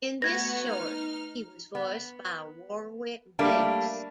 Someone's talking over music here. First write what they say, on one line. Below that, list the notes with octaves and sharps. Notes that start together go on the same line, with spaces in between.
In this short, he was voiced by Warwick Davis.
A3 B3 F#4 B4 G#6 A#6
D#4 F6
B3
G3 A3 A#3 D4